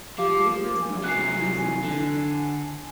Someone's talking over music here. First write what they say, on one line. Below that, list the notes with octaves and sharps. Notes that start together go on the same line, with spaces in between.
This is not your business.
F3 G4 F5 D6
G#5
C3 F#3 F#6 C7
D3